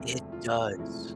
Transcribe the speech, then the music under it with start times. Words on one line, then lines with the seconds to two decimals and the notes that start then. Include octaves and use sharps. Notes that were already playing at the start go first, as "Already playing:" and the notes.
It does.
Already playing: E1 D2 C3 F3 A3 F4
0.32 F4
0.79 E1 D2 C3 F3 A3 E4